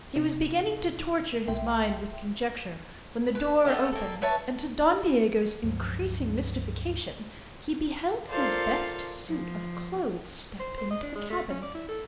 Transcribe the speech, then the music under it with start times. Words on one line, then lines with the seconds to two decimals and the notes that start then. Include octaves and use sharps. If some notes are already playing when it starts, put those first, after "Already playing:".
He was beginning to torture his mind with conjecture, when the door opened, and to Don Diego's increasing mystification he beheld his best suit of clothes step into the cabin.
0.16 C3 D#4
1.48 B1 E5 G5 C6
3.35 B4
3.65 A3 B3 C4 A4
3.92 A#3 A4
4.22 B4 C#5 E5 A5
5.63 C#2 G2 F3 F#3
8.30 F4 A4 A#4 C5 D5 F5
9.25 F3
10.60 C5
10.78 C5
10.91 D#5
11.03 D4
11.16 G#3
11.30 A3
11.50 C#4
11.62 D5
11.75 E4
11.89 A4